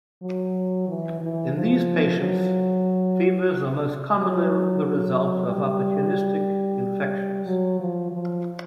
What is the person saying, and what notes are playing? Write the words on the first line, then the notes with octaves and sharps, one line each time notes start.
In these patients fevers are most commonly the result of opportunistic infections.
F#3
E3
E3
F3
F#3
F#3
F#3
G3
F#3
F3
F3